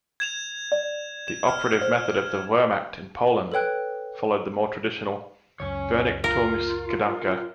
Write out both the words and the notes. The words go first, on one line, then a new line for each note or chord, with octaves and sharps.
The operative method of the Wehrmacht in Poland followed the more traditional "Vernichtungsgedanke".
G#6 E7 F7
D5
E7
F6
C5
A4 B4 C#5 G5 F#6
C#2 F#2 C#4 C#5
F4 A#4